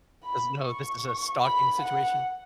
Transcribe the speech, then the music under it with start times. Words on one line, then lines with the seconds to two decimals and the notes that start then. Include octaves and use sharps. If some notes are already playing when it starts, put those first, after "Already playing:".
'Cause, no, this is a stalking situation.
0.24 B5
0.63 C#6
1.42 B5
1.82 F#5